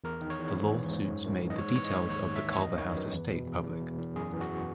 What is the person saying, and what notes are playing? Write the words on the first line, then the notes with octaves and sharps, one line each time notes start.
The lawsuits made the details of the Culverhouse estate public.
E2 A#4
D#3
C#5
E2
G#2
E3
G#2
F#2
F#2
E3
D#5
G#2 C#5
E3 C#5
D#5
G#2
D#2 C#5
D#2
E5
E3
C#5
F#2 D#5
D#3 C#5
F#2 B4
E2
B2
E2
E2
B2
E2
F#2 G#4
E3
F#4